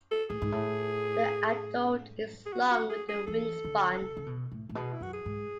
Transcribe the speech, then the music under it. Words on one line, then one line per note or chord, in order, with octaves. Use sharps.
The adult is long with a wingspan.
A4
A2 G#4
G#2
A2
G#4
F#4
F#4
G#4
G#4
E3 A4
D3
C#3
C#3
B2
A2
A2
B2 G#4
E4
F#2 F#4
G#4
G#2